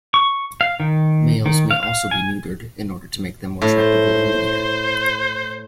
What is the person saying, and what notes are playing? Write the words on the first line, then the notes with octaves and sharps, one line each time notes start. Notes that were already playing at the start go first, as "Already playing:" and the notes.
Males may also be neutered in order to make them more tractable or meatier.
C#6
F5
D#3
D#3
F5
F5
G#5
A2
C5